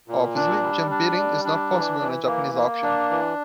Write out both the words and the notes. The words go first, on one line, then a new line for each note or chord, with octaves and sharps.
Obviously, jump-bidding is not possible in a Japanese auction.
A#2
D4
G3
D4
G3
D4
E3
E3
A#3
A#3
D4
E3